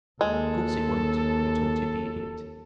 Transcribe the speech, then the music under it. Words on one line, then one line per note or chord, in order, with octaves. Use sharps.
"Of course it won't," retorted the Idiot.
D#2 G#3 A4